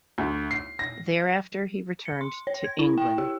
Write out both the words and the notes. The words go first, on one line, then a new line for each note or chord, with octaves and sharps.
Thereafter, he returned to England.
D2
C7
A#6
C#7
C6
C#5
G#6
E4
G5
G4